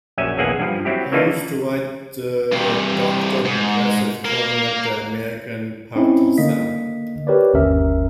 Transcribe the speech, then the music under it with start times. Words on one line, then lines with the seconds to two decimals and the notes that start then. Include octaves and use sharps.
He used to write the "Doctor Progressive" column at "The American Partisan".
0.18 A#1 F#2 C#4 E5 G#5
0.38 B1 E2 A#3 G#4 F#5 G#5
0.60 G2 F3
0.85 F#3 C4 E4 G4
1.12 C#3 E3 A#3 D4 D#4 F4
2.52 G2 C3
3.45 G#2
4.25 A#3 A#4
5.96 C4 C#4 D#4 E4
6.38 D3 A#3 D#5 B6
7.27 G4 A#4 B4 C#5 D5
7.54 G1 D#2 C#4 A#4 E5